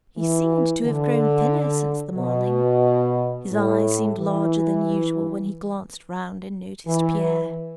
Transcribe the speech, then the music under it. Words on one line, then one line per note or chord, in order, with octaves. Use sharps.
He seemed to have grown thinner since the morning; his eyes seemed larger than usual when he glanced round and noticed Pierre.
E3
D3
B2
A2
E3
E3